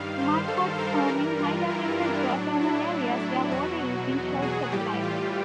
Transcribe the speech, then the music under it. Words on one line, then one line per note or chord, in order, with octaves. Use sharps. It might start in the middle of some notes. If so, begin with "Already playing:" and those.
Mudpots form in high-temperature geothermal areas where water is in short supply.
Already playing: G2 D#3 G3 F5
C5
A4
A#4
G2 E3 G3 A#4
F4
E4
D4
A2 F#3 D4
E4
E2 B2 F#3 F#4
G#4
A2 E3 G3 G4
F4